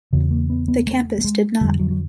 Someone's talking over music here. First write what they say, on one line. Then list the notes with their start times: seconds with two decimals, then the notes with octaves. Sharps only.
The campus did not.
0.13 E2 C#3 B3
0.31 A#3
0.50 B3
0.68 B3
0.87 A3
1.19 A3
1.24 G#3
1.61 F2 D3 G3
1.79 F#3
1.90 F#3